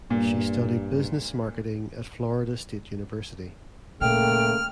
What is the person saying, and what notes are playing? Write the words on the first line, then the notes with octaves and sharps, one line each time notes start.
She studied Business Marketing at Florida State University.
G2 A#2
A#2 C#3 A3 A#3 G5 F6